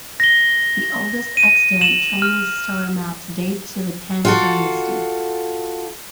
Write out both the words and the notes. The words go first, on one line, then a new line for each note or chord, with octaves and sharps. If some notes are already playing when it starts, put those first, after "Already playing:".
The oldest extant Chinese star maps date to the Tang dynasty.
A#6 G7
D#7
E7 F#7
F6
F4 F#4 A4